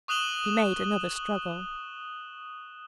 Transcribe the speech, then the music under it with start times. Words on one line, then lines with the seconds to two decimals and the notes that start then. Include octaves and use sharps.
He made another struggle.
0.08 C#6 D#6 F#6 E7 F#7 G7